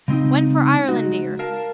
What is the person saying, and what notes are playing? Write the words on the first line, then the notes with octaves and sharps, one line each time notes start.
When for Irelandear.
C#3 G#3 C4 D#4
G#3 D#4 F#4
A#4 F5 A5